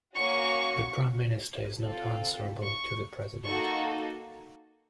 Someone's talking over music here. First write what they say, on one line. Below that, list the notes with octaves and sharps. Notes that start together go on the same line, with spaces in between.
The Prime Minister is not answerable to the President.
A#3 C#4 F#4 C#6
C4 F4 A4
C#6
A#3 D#4 F#4 A4 C#6